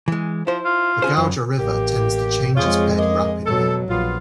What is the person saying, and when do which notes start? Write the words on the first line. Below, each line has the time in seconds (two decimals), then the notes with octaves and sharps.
The Gauja River tends to change its bed rapidly.
0.08 E3 G#3
0.47 F3 E4 C5
0.65 F4
1.02 C#4 G#4 C5
1.17 F#2 F3
1.58 A1 A#3 G4
2.55 F2 G#3 F4 G#4 C#5
2.98 A#3 G#4 D#5
3.46 B2 F#3 A4
3.89 A#1 B3 F4